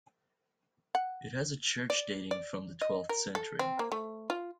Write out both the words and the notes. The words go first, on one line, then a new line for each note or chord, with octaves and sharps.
It has a church dating from the twelfth century.
F#5
D5
D5
D#5
A#4
A4
C4
A#3
A3
F4